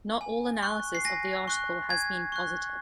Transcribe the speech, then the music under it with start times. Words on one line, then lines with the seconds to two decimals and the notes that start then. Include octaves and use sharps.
Not all analysis of the article has been positive.
0.21 G#5
0.62 C#6 F#6
0.95 C7
1.05 G#5 A#6
1.48 C#6 F#6
1.89 G#5 G#6
2.32 C#6 F#6